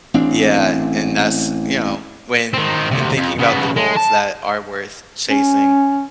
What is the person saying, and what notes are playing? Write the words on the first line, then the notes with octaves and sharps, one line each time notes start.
Yeah, and that's, you know, when when thinking about the goals that are worth chasing,
A1 C4 D4
D#3 C4
D2 C3
F2
C#3 B3
G#3
A5
C#4